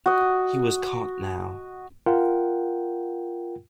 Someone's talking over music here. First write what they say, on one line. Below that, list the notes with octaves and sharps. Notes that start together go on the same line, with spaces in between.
He was caught now.
F#4 D#5
F4 A#4 F#5 G5